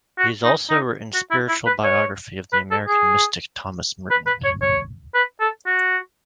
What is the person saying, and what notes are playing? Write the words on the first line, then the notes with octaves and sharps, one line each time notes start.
He has also written spiritual biography of the American mystic Thomas Merton.
F#4
D#4
D#4
F#4
E4
E4
B4
C#5
B4
A4
G#4
B4
B4
C#5
C#5
B4
A4
F#4